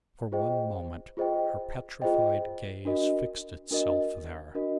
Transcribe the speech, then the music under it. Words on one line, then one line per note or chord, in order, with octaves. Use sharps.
For one moment her petrified gaze fixed itself there.
F4 G#4 C5 D#5 G5
F4 G#4 C5 D#5 G5
F4 G#4 C5 D#5 G5
D4 F#4 A#4 D#5
D4 F#4 A#4 D#5
D4 F#4 A#4 D#5